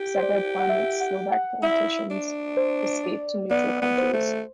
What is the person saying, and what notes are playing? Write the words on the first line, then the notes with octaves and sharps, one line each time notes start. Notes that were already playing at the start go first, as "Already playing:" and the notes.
Several prominent Slovak politicians escaped to neutral countries.
Already playing: G4
C5
D5
F#5
E5
F#5
F#5
E4 E5
D4
C5
D5
B3 D5
B3
C5
A3